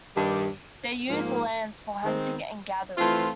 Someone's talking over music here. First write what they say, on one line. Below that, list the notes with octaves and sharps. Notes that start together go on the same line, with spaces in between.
They used the lands for hunting and gathering.
G2 D#3 G3
G#2 F3 A#3
D#3 G#3 C4
E3 A3 C4 F4